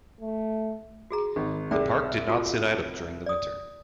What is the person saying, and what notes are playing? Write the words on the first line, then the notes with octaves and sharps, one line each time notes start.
The park did not sit idle during the winter.
A3
F#4 G#4 A#5
G#1
C2 G#4 D5 G5
F4 F#4 A4
D5 D#6